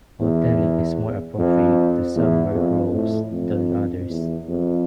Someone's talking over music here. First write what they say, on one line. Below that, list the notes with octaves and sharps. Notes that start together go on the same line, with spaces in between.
Hoteling is more appropriate to some work roles than others.
E2
F2
E2
F2
A2
F2
E2
F2